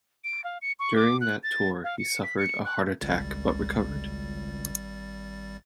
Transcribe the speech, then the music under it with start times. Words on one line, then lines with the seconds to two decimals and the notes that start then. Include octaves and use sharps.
During that tour he suffered a heart attack but recovered.
0.24 D7
0.44 F5
0.61 C#7
0.79 C#6
0.96 D6
1.21 F#6
1.43 A6
1.84 F5
1.99 C#7
2.23 B6
2.38 C#7
2.65 F#6
3.02 G#1 C#2 G3 A6